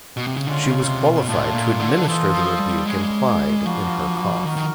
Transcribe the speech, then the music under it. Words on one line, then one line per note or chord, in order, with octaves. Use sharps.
She was qualified to administer the rebuke implied in her cough.
B2
C3
C#3
D3 G#3 C#4 F4
C#3
C3
B2
A2 A3 D4 F4
A#2
D3
E3 F4 A4 C5 D#5
F3
G3
G3 G#3 A#3 C#4
F3 G3 A#3 D4 F#4
D#3 D#4 F#4 A#4
D#3